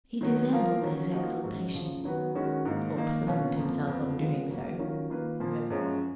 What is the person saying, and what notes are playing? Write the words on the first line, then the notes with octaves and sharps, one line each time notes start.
He dissembled his exultation--or plumed himself on doing so.
D#3 F#3 B3
F3 A#3 F4 A#4
D#3 F#3 C#4
F3 A#3 D#4 F#4 A#4
G#2 F#3 C#4
F#2 C#3 F3
D#3 F#3 B3 F#4 B4
D#3 G#3 C#4 F#4 A#4
G#2 D#3 A#3 D#4
D#3 A#3 D#4
B2 A#3 C#4 F4 B4
F2 F3 A#3
F2 F3 B3
F3 G#3 B3 F4 A#4
C#3 F#3 A#3
D#3 F#3 C#4 F4 A#4
D#3 A#3 F4 B4
A#2 F3 A#3
F#2 F3 G#3 C#4